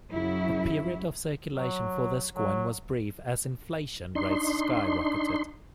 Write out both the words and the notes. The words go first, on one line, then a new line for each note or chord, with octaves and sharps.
The period of circulation for this coin was brief as inflation rates skyrocketed.
F#2 C#3 F#3 E4
F#3
F#3
D4 D#4 C6